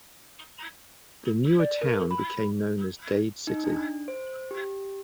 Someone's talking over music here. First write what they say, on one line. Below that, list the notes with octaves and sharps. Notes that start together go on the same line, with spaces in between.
The newer town became known as Dade City.
D5
A#4
B5
D#4
D4
C5
G4